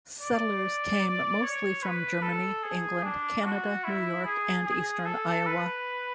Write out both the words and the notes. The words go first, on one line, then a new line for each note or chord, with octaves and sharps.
Settlers came mostly from Germany, England, Canada, New York, and eastern Iowa.
D5
C#5
B4
A4
G#4
D4
F#4
E4
G#4
G#4
A4
B4